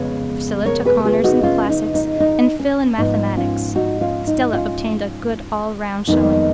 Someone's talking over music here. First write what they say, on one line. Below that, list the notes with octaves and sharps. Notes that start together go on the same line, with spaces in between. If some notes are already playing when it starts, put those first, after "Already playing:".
Priscilla took Honors in Classics, and Phil in Mathematics. Stella obtained a good all-round showing.
Already playing: F2 C#3 G#3 B3 C#5
A#4 C#5
G#4 B4
A#4
F4 G#4
D#4 F#4
C#4 F4
D#4
D#4
D#4
C#4
G#2 F3 B3 D#4
C#4 F4
D#4 F#4
C#4 F4
D#4
C#4 F4
F2 D#3 G#3 B3 D#4